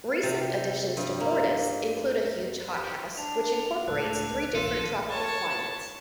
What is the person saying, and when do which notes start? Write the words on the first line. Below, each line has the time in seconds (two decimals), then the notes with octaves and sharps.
Recent additions to Hortus include a huge hothouse, which incorporates three different tropical climates.
0.23 C3
0.97 G2
1.20 A#3
2.74 G4
3.17 D4 F7
3.88 C#2 A2 D4 F#6
4.55 A#1 D#2 F4 A4 D#7 E7
5.09 C#5 A5